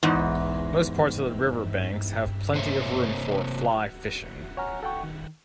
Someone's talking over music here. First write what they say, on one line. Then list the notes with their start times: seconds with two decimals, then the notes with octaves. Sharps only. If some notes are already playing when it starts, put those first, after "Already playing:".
Most parts of the river banks have plenty of room for Fly Fishing.
0.03 E2 G#2
2.54 C3 A#3 C5 C#5 E5
4.57 C#5 F#5 G#5 A#5 F6
4.83 A4 F#5 G5 C#6
5.03 D#3